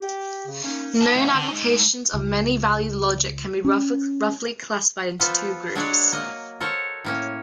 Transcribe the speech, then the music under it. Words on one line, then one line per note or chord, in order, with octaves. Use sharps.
Known applications of many-valued logic can be roughly classified into two groups.
G4
C#3
A#3 C#4 D#4
D#4 A5
A3 B3
D3
G#3 D#4
C#2
C#4
F3 B3 F4 A4 C5
F#3 G#3 D4 C#5 D5 F#5
A#3 D#5
A4 A#4 C5 C#5 F#5 A#5
A2 A#3 C#4